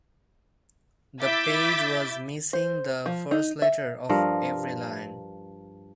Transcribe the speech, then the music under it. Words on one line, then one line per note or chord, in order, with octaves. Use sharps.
The page was missing the first letter of every line.
E4 E5 D6 G6 A6 B6
C5
F3
D#4
E5
G2 F3 A#4